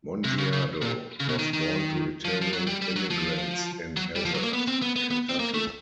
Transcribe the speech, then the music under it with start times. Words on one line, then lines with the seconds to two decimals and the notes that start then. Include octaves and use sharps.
Mongiardo was born to Italian immigrants in Hazard, Kentucky.
0.24 C3
0.38 C#3
0.53 C#3
0.82 A#2
1.20 C#3
1.29 B2
1.39 D#3
1.53 D#3
2.25 F3
2.41 F3
2.53 F#3
2.67 G3
2.82 G3
2.96 F#3
3.10 F3
3.97 F#3
4.16 G3
4.25 F3
4.35 F#3
4.43 A#3
4.53 B3
4.68 C4
4.82 B3
4.96 B3
5.11 B3
5.29 C4
5.39 A#3
5.54 A3